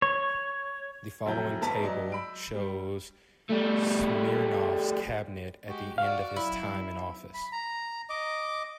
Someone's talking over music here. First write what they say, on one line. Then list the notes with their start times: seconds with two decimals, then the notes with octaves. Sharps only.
The following table shows Smirnov's cabinet at the end of his time in office.
0.02 C#5
1.26 F1 F#3 E4 E5 A#5 G6
1.61 E1 G#2 B4 A5 A#5 B6
1.83 F#3 D5 D#5
2.12 B5 E6 D7
2.54 G3
3.50 G3 A3
5.66 G#3 F#4 G4
5.98 F#4 D5 F5
6.36 F#2 E4
7.34 B5
7.52 A#5
8.09 D#5 D6